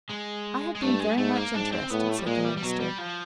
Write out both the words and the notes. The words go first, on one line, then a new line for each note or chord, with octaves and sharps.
"I have been very much interested," said the minister.
G#3
G#3
G2 A3
G#3
G#2 A3
A#3
G#2 D4
C4
A2 B3
A3
G3
A#2 G#3
G3
G3
B2 F#3
G3
F3